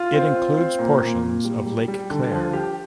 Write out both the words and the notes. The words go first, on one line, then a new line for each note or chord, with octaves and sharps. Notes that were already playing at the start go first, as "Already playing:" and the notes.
It includes portions of Lake Claire.
Already playing: F4
C4
F4
C4
A#2
A#2
A#2
G3
G3
G3
D3
F3
G4